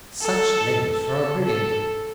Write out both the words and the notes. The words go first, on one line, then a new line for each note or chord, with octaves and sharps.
Such language from a Brigand!
A4
A4
A4